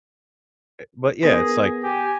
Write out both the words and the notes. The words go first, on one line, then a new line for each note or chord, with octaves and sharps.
Eh but yeah, it's, like,
B3 G#4 A#4 A#6
G4 G#5